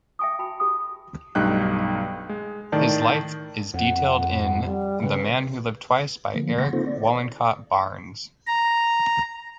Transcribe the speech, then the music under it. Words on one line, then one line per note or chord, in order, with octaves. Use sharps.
His life is detailed in "The Man Who Lived Twice" by Eric Wollencott Barnes.
E5 G5 G#5 C#6 D#6
F#4 G5 A5 B5
G4 D#6
B1 G2 A3 D#4 G5 F#6
G#3
A2 D#3 D5 A5
F2 F#5
G3
C#3 B4
D3 F3 A#3
C#3 F#5 C6 C#6 A#6
A#3 C4 D#4 F4 A4 C5
D5
A#5